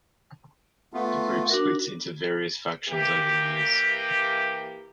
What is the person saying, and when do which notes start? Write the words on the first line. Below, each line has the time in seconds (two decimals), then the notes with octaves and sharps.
The group split into various factions over the years.
0.94 A3 B3 F4
1.50 D4 F#4 A#4
2.89 E3 A#3 G4